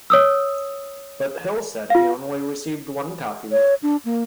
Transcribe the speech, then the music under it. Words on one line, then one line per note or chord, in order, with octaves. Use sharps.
But Hill said he only received one copy.
C#5 D#6 E6
F4 F5
C#5
D4
A#3